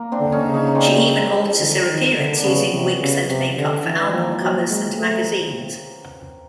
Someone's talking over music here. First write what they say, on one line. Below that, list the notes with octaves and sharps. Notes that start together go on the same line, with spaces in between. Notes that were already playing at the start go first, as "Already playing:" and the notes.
She even alters her appearance using wigs and make-up for album covers and magazines.
Already playing: A#3
C4 D4
D3
C#4 D#4
C#3
C#4 D#4
D#4
C4 D4
D3
D#3
D3
D4
C#3 B3 C#4
C3
C#3
C3
D3
E3
F3 A#3 C4
F#3
G#3
A3